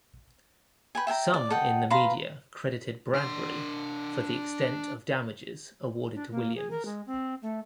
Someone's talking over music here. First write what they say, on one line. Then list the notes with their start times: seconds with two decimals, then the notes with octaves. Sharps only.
Some in the media credited Bradbury for the extent of damages awarded to Williams.
0.95 B4 G5 G#5
1.07 E5 G5 G#5 A#5
1.34 D5
1.50 A4 D#5 F#5 G5
1.90 B4 F5 A#5 C6
3.14 D4 C6
6.15 D4
6.31 A#3
6.56 G#4
6.71 A#4
6.85 G#3
7.07 C4
7.42 A3